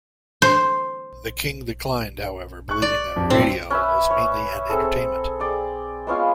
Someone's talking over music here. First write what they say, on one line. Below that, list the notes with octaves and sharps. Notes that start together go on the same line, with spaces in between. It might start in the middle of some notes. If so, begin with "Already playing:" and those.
The King declined, however, believing that radio was mainly an entertainment.
C5
C#6 F#6
D5
F2
B1 A2 F#3 C4
C#4 B4 E5
C#4 C#5
C4 G#4 A4
G#4 D5 G5 D#6
G#3 B3 C#4 F4